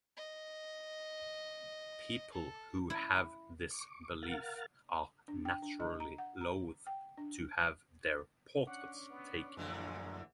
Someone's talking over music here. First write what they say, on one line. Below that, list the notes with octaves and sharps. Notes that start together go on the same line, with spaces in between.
People who have this belief are naturally loath to have their portraits taken.
D#5
A4
E4
C#6 D6
A#4 F5 F#5 F6 A6
D4
G5
D4
D#5
A#5
F#5
A#5
G5
D4
C#4 D4 F#5
B3
A#1 F#2 A2 D3 E3 G#3